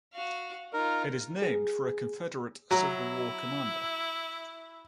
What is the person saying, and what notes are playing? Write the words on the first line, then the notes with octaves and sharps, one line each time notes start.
It is named for a Confederate Civil War commander.
F#4 F5
D#4 F4 A#4
G#4
F#3 E4 A#5